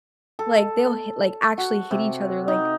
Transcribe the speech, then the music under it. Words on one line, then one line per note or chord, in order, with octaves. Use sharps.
like, they'll hit like, actually hit each other, like
A4
F#4
C3
D#4